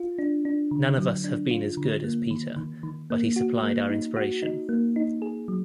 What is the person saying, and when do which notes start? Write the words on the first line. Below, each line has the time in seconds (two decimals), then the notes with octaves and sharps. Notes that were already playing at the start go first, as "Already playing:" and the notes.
None of us have been as good as Peter, but he supplied our inspiration.
Already playing: F4
0.19 D4
0.45 D4
0.71 D3
0.98 F#3
1.24 D4
1.51 F4
1.77 D3
2.04 A#3
2.31 D#3
2.56 D#3
2.83 D#3
3.10 A#3
3.36 F#4
3.63 A#3
3.90 D#4
4.17 F#4
4.42 D#4
4.69 A#3
4.96 D#4
5.22 G#4
5.48 F#3